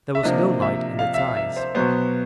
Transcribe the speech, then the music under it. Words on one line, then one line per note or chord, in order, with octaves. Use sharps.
There was no light in its eyes.
E5
C3 F3 A#3 D4 D#5
E5
F5
E5
F5
E5
C5
B2 F#3 B3 C5